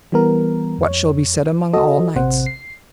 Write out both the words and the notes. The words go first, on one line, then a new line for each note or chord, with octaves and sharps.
What shall be said among all knights?
E3 G3 B3 A#4
F2 C#5
F#4 A4 D#5
A1 C3 C5 F#5
C7